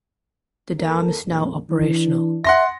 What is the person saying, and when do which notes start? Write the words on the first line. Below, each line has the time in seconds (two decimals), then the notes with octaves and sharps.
The dam is now operational.
0.79 D#2 A4 A#4
1.25 A#1 F2
1.70 E3 D4
2.44 E5 F#5 C6 A#6